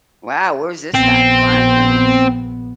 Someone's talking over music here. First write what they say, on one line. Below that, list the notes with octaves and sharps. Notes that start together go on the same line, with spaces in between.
Wow, where's this at? My goodness.
A#1 B3 C4